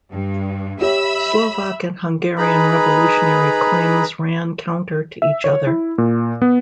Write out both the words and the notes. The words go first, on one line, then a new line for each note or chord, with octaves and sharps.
Slovak and Hungarian revolutionary claims ran counter to each other.
G2
G4 C#5 E5 B5 E6
D#4 G#4 B4 A#5 B5
E5
C#5
E4
A#2
B3